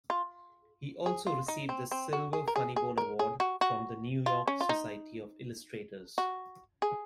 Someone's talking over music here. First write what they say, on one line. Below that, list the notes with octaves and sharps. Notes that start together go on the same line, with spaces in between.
He also received the Silver Funnybone Award from The New York Society of Illustrators.
F4
G#4
F4
D#4
C4
C4
F#4
G#4
A#4
G#4
G#4
A#4
G#4
F#4
F#4
F4
C#4
F4
D#4
F#4
G#4